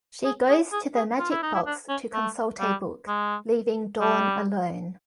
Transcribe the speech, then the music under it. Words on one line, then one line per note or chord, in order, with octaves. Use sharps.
She goes to the Magic Box to consult a book, leaving Dawn alone.
G#4
G#4
G#4
G#4
F4
E4
D#4
E4
D4
C#4
A3
G3
G#3
G3